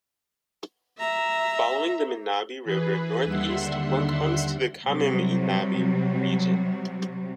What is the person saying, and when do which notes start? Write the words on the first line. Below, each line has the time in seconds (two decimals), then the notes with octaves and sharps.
Following the Minabe River northeast one comes to the Kamiminabe region.
0.99 E5 A#5
2.65 E3 G#4 B4
3.25 D#2 D3 G3 E5 F#5 C6
4.86 C3 F#3 G3